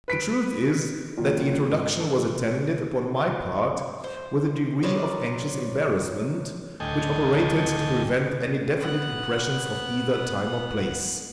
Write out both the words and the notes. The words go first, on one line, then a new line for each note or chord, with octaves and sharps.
The truth is--that the introduction was attended, upon my part, with a degree of anxious embarrassment which operated to prevent any definite impressions of either time or place.
B4 B6 D7
A#2 D#3 F#3
G#2
A4
C5
F3 F#3 B4 D5
D2 A2 A4 D#5 G5 G#5
B3 F#5